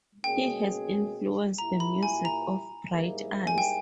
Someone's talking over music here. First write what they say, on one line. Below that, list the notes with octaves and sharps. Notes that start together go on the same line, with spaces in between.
He has influenced the music of Bright Eyes.
B2 A#3 C#4 G#4 G5
A#2 A#3 E4 G4 A#5
B5
G#5
A#5
G#2 G3 A#3 E4 G#4
G#5
G5